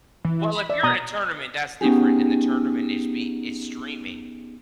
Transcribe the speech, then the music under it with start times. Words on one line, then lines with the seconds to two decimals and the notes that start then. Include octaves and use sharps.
Well, if you're in a tournament, that's different, and the tournament is be is streaming,
0.25 E3
0.55 B5
0.70 D5 E5
0.83 B2 A#5 D#6
1.81 B3 C#4 D#4 G4 G#4